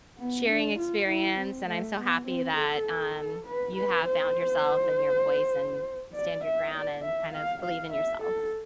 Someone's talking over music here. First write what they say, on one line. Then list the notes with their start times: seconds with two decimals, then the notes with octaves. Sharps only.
sharing experience, and I'm so happy that, um, you have found yourself and your voice and you stand your ground and kind of believe in yourself.
0.18 B3
0.49 D4
0.78 F4
1.07 E4
1.38 C4
1.67 A3
1.98 B3
2.26 C4
2.57 A4
3.46 B4
3.76 B4
4.06 C5
6.14 D5
6.44 E5
6.74 D5
7.04 E5
7.34 F5
7.62 F5
7.92 E5
8.22 A4